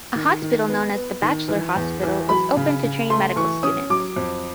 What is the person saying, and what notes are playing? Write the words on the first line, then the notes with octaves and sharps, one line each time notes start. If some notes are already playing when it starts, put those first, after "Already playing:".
A hospital known as the Batchelor Hospital was opened to train medical students.
D#3
D#3
B3
B3
D#3
E3
E2
E3
F#3 B5
C#3
C#3
A3 C6
E3 C#6
C#4 D#6
F#3 D6
F2